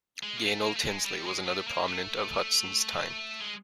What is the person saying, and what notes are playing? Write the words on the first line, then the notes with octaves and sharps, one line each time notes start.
Gaynell Tinsley was another prominent of Hutson's time.
G#3
A#3
A3
A#3
A3
G#3
G3
G#3
A3
A#3
A3
G#3